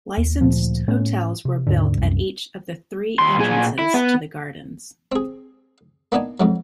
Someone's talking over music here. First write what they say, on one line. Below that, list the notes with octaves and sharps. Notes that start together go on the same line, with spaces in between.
Licensed hotels were built at each of the three entrances to the gardens.
D#2
D2 A#2 F3
A2 A3 C#4
C3
D#2 G#2 B2 D3
C2 F#2
D#2 C6
A#2 G#4
E4
B3
C4 G#4
A#3 B3 D4 D#4 G#5
F2 G#2 F#3